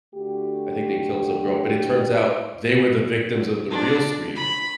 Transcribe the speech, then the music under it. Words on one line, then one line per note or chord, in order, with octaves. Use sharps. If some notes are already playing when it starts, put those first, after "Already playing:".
I think they killed some girl, but it turns out they were the victims of the real Scream,
D3 A3 F#4 G4
D4
B5